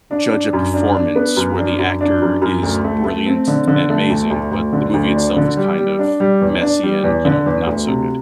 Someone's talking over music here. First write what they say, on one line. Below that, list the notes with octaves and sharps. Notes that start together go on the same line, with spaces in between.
judge a performance where the actor is brilliant and amazing, but the movie itself is kind of messy and, you know, not so good?
D4
D4
F#2
D4
D4
B3
F#2
D4
F#2
D4
F#2
F#2
D2
A3
A3
C4
D3
D3
A3
D2
D2
D2
D3
D2
D4
D3
G3
G3
D4
G3
E2
D4
G3
E2
D3
E2
D2
C3